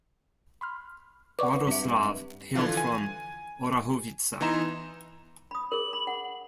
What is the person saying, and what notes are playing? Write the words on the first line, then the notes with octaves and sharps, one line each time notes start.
Radoslav hailed from Orahovica.
B5 C6 F6
B4 D5 F#5 C#6 D6
G2 C4 E5
D3 E3 F3 F4
G#5
E3 B3 D#4 A#5 C6 E7
B5 D#6
G#4 A#4 F#7
B5
F#5